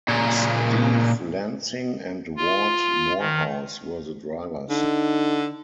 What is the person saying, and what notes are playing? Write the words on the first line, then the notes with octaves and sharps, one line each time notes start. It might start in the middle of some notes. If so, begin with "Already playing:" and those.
Steve Lansing and Ward Morehouse were the drivers.
A#2 C#3
F4
D#3
D3 D#4